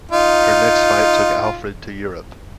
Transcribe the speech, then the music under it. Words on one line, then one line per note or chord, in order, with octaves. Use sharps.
Her next fight took Alfred to Europe.
D#4 F4